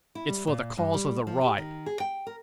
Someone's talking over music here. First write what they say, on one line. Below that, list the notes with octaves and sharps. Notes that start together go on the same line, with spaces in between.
It's for the cause of the right.'
E4
G3
A#2
G2
G3
F3
G4
D#3
G#4
G5
A#4